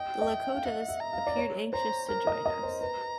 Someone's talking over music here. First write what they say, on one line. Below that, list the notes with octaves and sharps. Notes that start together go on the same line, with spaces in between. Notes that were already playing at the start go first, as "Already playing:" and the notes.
The Lakotas "... appeared anxious to join us".
Already playing: D#5 G5
D#5
E5
F5
E5 F#5
E5
A#5
F5
D5
C#5
C5 A#5
A#4 A#5
D#5
D#5
C5
B4 A#5